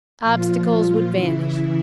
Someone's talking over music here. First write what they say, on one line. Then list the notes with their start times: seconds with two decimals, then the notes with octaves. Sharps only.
Obstacles would vanish.
0.23 A#2 F3 F4
0.66 F4
1.10 C#3 E3 E4
1.52 E4